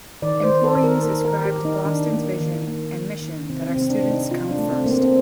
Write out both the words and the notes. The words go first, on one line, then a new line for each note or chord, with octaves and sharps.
Employees ascribe to Boston's vision and mission that our students come first.
D#3 D5
C5
D#3
A4
D#3
A#4
A#3 A#4
A#4
D#3
G4
D#3
D#4
D#3 D4
A#3
D#3
A#3
A#3
D#3
C3 C4
C4
C3
C4
D4
C3
D#4
C3 F4
D4
A3
C4
A3 A#3
C4
C4